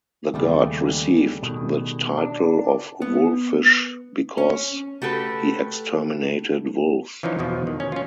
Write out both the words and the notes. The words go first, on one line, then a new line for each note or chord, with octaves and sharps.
The god received the title of Wolfish because he exterminated wolves.
D#2 C#3 G3 A3
B2 D#3
D4
B3
C#4
A3 F#4 G4 A4 B4
E3 F3 C#4 D#4
E2 B2 F3
D#3
C#4
C#4 F4